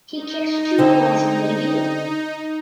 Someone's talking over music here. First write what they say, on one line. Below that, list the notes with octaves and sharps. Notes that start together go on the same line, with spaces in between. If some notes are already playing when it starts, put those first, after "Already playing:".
He kicked two goals on debut.
D#4
D3 C4 G4